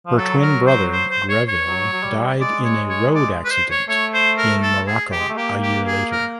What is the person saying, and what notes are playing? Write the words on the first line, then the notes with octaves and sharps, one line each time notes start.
Her twin brother, Greville, died in a road accident in Morocco a year later.
F3
F#3 A4
A#4
C5
C5
C5
C#5
C#5
F#3
F#3
G3
G#3 D5
C#5
C#5
D5
B4
C5
C#5
A3 C#5
C5
A#4
A4
G#4
G4
G#3
A3
A#3 G4
G4
G#4
A#4